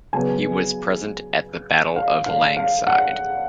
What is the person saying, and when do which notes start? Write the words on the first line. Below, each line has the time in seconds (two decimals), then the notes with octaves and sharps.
He was present at the Battle of Langside.
0.13 C#3 F#3 B3 G#5
1.96 F5
2.26 F5
2.57 F5
2.87 F#5